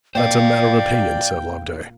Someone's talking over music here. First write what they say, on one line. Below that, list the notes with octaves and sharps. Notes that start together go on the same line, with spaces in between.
'That's a matter of opinion,' said Loveday.
A#2 A#3 C5 D5 F5 G5